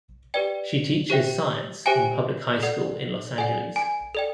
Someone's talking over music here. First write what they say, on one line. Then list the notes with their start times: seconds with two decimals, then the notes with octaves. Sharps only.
She teaches science in public high school in Los Angeles.
0.34 G4 B4 D5 G5
1.10 G4 C5 E5 G5
1.86 G4 C5 E5 G5 G#5
2.63 A4 D5 F#5
3.38 A4 D5 F#5 G#5
3.76 G#5
4.15 A4 D5 G5